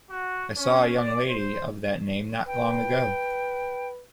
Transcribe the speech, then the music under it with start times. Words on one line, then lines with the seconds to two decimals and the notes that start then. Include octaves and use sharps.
I saw a young lady of that name not long ago.
0.11 F#4
0.57 C#4
0.96 D5
1.30 C5
2.47 B4 G5